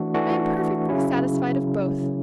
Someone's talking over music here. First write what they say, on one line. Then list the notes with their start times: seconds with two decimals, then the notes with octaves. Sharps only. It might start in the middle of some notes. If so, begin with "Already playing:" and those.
"I am perfectly satisfied of both."
Already playing: E3 A3 D4 F#4
0.14 E3 A3 D4 F#4
0.89 C#3 F#3 C#4 E4